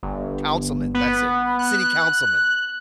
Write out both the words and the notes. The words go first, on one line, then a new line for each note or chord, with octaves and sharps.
councilman. That's it, city councilman.
G1
B3
F#6